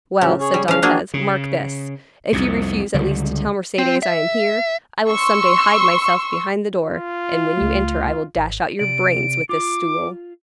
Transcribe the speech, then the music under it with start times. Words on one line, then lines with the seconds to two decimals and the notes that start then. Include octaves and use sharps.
"Well," said Dantes, "mark this; if you refuse at least to tell Mercedes I am here, I will some day hide myself behind the door, and when you enter I will dash out your brains with this stool."
0.21 A2 C#3 F3 F#3
0.40 G#4 C#5
0.54 G3
0.68 C#3 F3 C#4 F5
0.82 A#3 D4 F#4 G#4
1.14 C#3
2.32 C2 F2 C3
2.94 C#2 D3 G3
3.79 C4
4.03 E5
5.06 C6 C#6 E6
6.84 F4
7.57 C#2 A3
8.36 G#1
8.79 C3 D5 D7
9.49 F4 D6